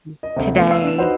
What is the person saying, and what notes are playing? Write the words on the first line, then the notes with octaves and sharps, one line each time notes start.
Hmm, today
D#5
D2 C3
A3 B3
F5 E6 C7
D4 E7
D#4 F#4 B4 C5 F#5